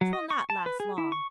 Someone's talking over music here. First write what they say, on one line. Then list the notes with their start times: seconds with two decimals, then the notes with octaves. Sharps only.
'Twill not last long.
0.01 F#3
0.13 D#5
0.30 C#6
0.50 A5
0.66 B4
0.80 G#4
0.98 E4
1.12 C#6